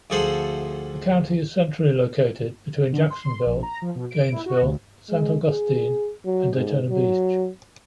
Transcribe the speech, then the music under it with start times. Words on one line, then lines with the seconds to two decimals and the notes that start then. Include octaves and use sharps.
The county is centrally located between Jacksonville, Gainesville, Saint Augustine, and Daytona Beach.
0.10 D2 F3 G#4 A4 C5 F#5
2.93 D3
3.10 C6
3.46 A#1
3.63 A#5
3.82 F3
3.95 B2
4.11 D7
4.32 E4
4.46 F#4
4.62 D2
5.09 G#3
5.48 G#4
6.25 F#3
6.55 G#2
6.91 F#3